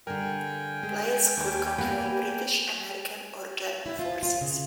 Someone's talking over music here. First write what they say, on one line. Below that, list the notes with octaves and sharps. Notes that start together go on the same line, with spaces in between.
Players could control British, American, or German forces.
D3 G3 A#4 G5 G#5
G#3 G#4
D#2
A#3 B3 G4 F#5 B5 F#6 G6
E4
F4
F4
C#3